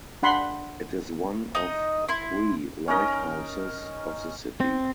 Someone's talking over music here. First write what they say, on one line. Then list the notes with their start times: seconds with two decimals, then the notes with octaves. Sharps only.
It is one of three lighthouses of the city.
0.23 D4 F#5 B5 C6
1.55 D#4 D#5
2.08 E4 C6
2.88 C#4 D#4 A#4 D#5
4.60 C4